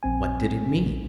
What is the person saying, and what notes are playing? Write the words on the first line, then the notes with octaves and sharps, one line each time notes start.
What did it mean?
A#1 C4 G#5